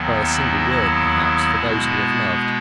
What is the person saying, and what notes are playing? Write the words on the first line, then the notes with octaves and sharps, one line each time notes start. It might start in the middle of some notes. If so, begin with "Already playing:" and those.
By a single word, perhaps, for those who have loved.
Already playing: D#2 D#3 F#3 B3
E4
B2 G#3 B3